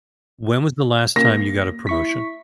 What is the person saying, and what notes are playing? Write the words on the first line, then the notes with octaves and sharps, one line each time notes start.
When was the last time you got a promotion?
A#3 A#6
E4 C#6 B6